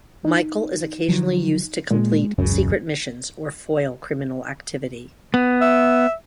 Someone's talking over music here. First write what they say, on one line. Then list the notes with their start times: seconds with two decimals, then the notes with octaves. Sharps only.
Michael is occasionally used to complete secret missions or foil criminal activity.
0.25 D#4
1.08 D3 F3 F#3
1.91 A#2 G#3
2.38 E1 C#2 F#2 C#3
5.34 B3
5.61 E5